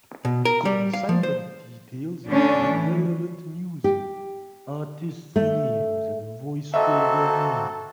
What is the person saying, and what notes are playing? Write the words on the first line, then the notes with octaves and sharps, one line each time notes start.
Consignment details include relevant music, artists names and voice-over names.
B2
A#4
G3
F5
F3
C5
D3 A3 C#4 D4
E3
G4
A3
A#3 C4 F#4 A4 D#5 E5